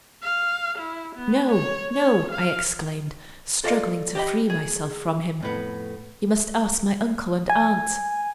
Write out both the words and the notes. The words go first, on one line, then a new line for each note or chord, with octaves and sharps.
'No, no!' I exclaimed, struggling to free myself from him--'you must ask my uncle and aunt.'
F5
E4
B3
C#5
C#5
F5
F4 A4 D5 D#5 F5
G4 D5 D#5 G5 B5
G#4
F2 A2 B3
G#5